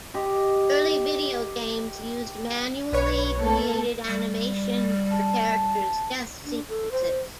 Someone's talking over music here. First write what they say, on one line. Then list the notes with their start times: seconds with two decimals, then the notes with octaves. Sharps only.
Early video games used manually created animations for characters' death sequences.
0.14 G4 D#5
2.92 B1 B4 C#5
3.39 A3 A#3 A4
4.07 G3
5.12 A5
6.44 D4
6.69 A4
6.91 C5